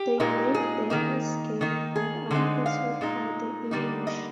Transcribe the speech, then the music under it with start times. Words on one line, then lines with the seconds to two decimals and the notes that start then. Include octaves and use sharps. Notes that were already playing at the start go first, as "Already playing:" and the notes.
They make their escape but are pursued by the English.
Already playing: G4
0.20 A#2 G#3 D#4
0.54 G#4
0.90 D#3 A#3 D#4
1.61 D#3 A#3 D#4
1.96 G#4
2.31 D3 G#3 C4 D#4
2.66 F5
3.01 A#2 G#3 D#4
3.71 D3 G3 A#3 D#4
4.07 D#5